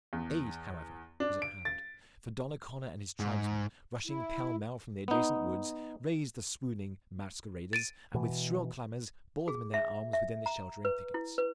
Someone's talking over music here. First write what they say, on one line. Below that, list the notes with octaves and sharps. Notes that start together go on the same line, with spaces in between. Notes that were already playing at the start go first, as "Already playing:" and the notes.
Aid, however, was at hand; for Donnacona and his tribesmen, rushing pell-mell from the adjacent woods, raised the swooning masqueraders, and, with shrill clamors, bore them in their arms within the sheltering thickets.
E2
D4
D7
A6
G#2
E4
B3 D#4
A6 D7 D#7
B2 E3
G#4
E5
E5
A#5
B4
E4
B4